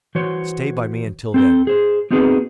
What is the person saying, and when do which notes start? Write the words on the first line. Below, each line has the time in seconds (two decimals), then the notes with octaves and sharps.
Stay by me until then.
0.15 E3 F#4 C5 C#5
1.34 C4 A4 G5
1.67 G#4 C5
2.11 B3 C4 D#4 F#4 G#4 B4